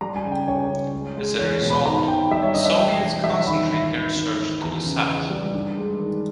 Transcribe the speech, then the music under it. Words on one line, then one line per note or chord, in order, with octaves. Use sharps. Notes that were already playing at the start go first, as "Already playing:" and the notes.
As a result, the Soviets concentrate their search to the south.
G3 A#5
G#5
C#3
G5
C#2 C#5
C#2
G#3
G#3
E2 C#5
B2
B5
G#1 A#5
G#1 G5
G3 E5
C#5
G2 D#5
E5
E1 G5
G3
G3 E5
D#2 B5
G#1
G#1
G#1
G#1
E2 A#5
C#3
E2
G3
G2
G#3
D#3